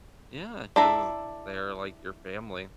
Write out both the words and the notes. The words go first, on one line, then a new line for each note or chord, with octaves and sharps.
Yeah 'cause they're like your family,
D4 E4 A4 E5 A#5